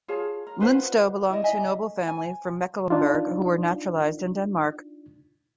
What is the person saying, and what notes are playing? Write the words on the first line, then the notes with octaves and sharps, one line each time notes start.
Linstow belonged to a noble family from Mecklenburg who were naturalized in Denmark.
F4 G#4 C#5 A5
A#4
F4 B4 C5 F#5
E4 D5 D#5
D#4 D#5 E5 G#5
G#5
D4 D#4 F4